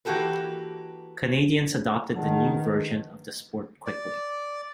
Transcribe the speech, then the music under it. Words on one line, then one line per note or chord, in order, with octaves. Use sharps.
Canadians adopted the new version of the sport quickly.
E3 A#3 F#4 G4 A4 B4
D#3 G#4 F#5 A5
B4 D#5
D5